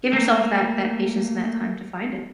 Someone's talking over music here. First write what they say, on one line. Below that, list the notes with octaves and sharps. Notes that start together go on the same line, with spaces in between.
give yourself that that patience and that time to find it.
A3 A#3